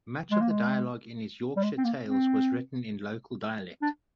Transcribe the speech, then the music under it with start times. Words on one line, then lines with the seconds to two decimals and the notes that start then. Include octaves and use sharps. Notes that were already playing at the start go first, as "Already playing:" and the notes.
Much of the dialogue in his Yorkshire tales was written in local dialect.
0.31 G#3
0.41 A#3
0.50 G#3
1.56 G3
1.63 G#3
1.78 C4
1.85 A#3
2.06 C4
3.82 D4